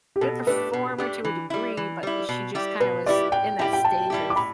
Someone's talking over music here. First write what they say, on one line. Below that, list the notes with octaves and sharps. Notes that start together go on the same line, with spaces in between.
good performer to a degree, but she just kinda was in that stage of
G4
B2 A4
A3 D4 G4 B4
B2
A3 D4 G4
E3
G3 E4
E3
G3 E4
B2
G3 E4 G4
B2 B4
G3 E4 G4 D5
A2 G5
G3 E4 G4 G5
G5
A2 A5
G3 E4 G4
D6
A2 B5